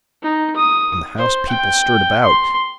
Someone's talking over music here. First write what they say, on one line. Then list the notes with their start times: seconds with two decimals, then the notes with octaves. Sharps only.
In the house people stirred about.
0.22 D#4
0.56 D#6
1.18 C5
1.49 G5
2.23 C6